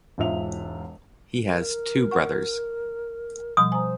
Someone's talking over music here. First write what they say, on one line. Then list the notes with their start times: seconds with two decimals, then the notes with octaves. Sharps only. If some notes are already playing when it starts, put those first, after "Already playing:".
He has two brothers.
0.18 E1 G#2 F4 E5 F7
1.44 A#4
2.11 F#5 C#6
3.57 B2 F3 G3 D#6
3.72 C5 G#5 A#5